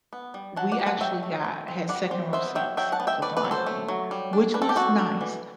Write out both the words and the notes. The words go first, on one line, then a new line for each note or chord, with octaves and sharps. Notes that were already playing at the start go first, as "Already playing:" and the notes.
we actually got had second row seats for the Lion King which was nice
B3
G3
F#3 F#5 A5
D5 F#5
F#3
F#5 A5
F#3 E5 G5
A3
C4
C4
G3 D5 F#5
C4
B3 C5 E5
F#3 E5 G5
F#3 E5 G5
F#5 A5
B3
E5 G5
A3 B4 D5
B4 D5
F#3
A4 C5
A3
F#3
G3
D4
D4 B4
A4
G4
G3 F#4 A4
D4
E3